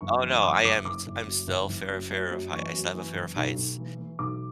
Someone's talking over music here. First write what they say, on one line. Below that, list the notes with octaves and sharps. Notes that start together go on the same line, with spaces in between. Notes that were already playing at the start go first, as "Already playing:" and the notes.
Oh, no, I am t I'm still fear fear of high I still have a fear of heights,
F#1 C#6
E3
F#1 D6
F#1 D6
F#1 D6
F#1
F#2
F#1
F#1
F#2
F#2
F#2
E3 C#6
F#2
E3
F#1
B1
B1
E3
E3
B1 D6